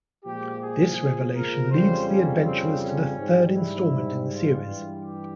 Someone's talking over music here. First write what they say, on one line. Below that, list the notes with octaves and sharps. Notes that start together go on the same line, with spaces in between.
This revelation leads the adventurers to the third installment in the series.
A#2 F3 G#3 G4
G#4
A#4
F2 C#3 G3 C5
C#4
C4
C#4
G#2 G3
E4
F4
G2 E3 G3
G4